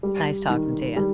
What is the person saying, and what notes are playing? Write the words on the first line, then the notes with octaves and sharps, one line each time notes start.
it's nice talking to you
G3
D#3
G3